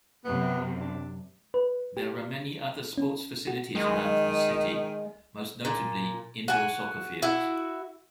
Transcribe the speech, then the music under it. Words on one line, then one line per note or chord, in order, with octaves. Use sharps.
There are many other sports facilities around the city, most notably indoor soccer fields.
F#2 C3 B3
D4
B4
G4
C#4
F#4
D#3 G#3
A#2
F#4 G#5
E4 F#4